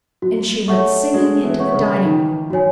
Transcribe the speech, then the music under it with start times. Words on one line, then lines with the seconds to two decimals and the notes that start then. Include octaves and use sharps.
And she went singing into the dining-room.
0.22 F#3 F#4
0.68 A3 C#5 F#5 C#6
1.14 G#3 F#4
1.43 E3
1.60 C#5 F#5 C#6
1.74 C#3
2.04 D#3 D#4
2.50 F#3 F#4 C#5 G#5